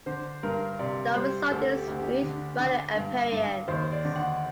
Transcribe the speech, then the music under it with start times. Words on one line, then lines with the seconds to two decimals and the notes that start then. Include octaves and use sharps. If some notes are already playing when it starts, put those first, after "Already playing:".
The result is a smooth, rounded appearance.
0.06 D3 C5
0.43 G2 A#4
0.79 C3 D5
1.15 G3 C5
1.51 D2 A4
1.75 G4
1.88 D2
1.99 G4
2.23 D3
2.59 D3
2.95 G2
3.32 G2
3.68 D#2 C5
3.92 D5
4.05 D3
4.16 F#5